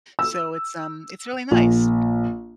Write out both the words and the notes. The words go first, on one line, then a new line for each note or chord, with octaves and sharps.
So it's, um it's really nice,
E6
A#1